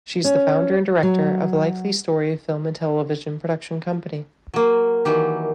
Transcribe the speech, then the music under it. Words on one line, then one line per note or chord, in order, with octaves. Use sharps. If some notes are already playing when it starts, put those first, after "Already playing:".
She is the founder and director of "likely story" film and television production company.
C#4
F#3
F#3 A#3
D#3 E3 F#3 G4